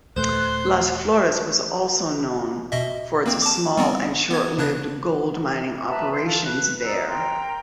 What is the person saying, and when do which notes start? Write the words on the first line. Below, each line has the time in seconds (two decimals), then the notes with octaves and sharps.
Las Flores was also known for its small and short-lived gold mining operations there.
0.16 D#1 A3 C5 C6 F#6
2.72 B2 D#5 E5
3.26 A#3 C4
3.42 A5 D6
3.77 G3 B3 C4
4.30 B3 G#6
4.58 C#3 D4 F#6
5.87 B4 E5 A5 A#5
6.11 C5 F#5 C6
6.23 F4 A4
6.45 B4 F#6
6.84 D5 D#5 A#5 E6
7.08 A#4 G5 A#5 C6